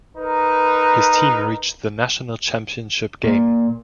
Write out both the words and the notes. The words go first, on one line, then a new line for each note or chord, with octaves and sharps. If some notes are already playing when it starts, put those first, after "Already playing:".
His team reached the national championship game.
D#4 A#4 B4
A#2